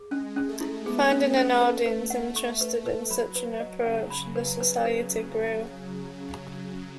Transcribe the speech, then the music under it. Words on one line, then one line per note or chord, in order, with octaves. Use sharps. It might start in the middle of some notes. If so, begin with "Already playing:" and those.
Finding an audience interested in such an approach, the Society grew.
Already playing: G#4
G#3 C#4
C#4
A3
E4
B3 G#4
C#4
A3
C#4
B4
B4
F#5
C#6
B4
B4
F#3 B5
B4
D#5
C#3 F#5
B5
B4
B4
B4